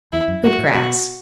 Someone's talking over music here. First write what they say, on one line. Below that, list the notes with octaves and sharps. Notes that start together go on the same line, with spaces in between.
Good grass.
E2 E4
F#2
A2 F#4
A2
B2 F#4